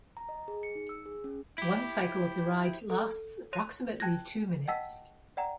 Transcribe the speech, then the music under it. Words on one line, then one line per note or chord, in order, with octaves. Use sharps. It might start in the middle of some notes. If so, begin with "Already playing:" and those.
One cycle of the ride lasts approximately two minutes.
A#5
D#5
G#4
C#7
D#4
E6
G#4
C#4
E4 G4
A4
C#5 C6 F#6 A#6 D#7 F7
G5 A5 F#6 G#6 A#6
D#5 F#5 G5 A5 E6 B6
D5 F#5 G5 A#5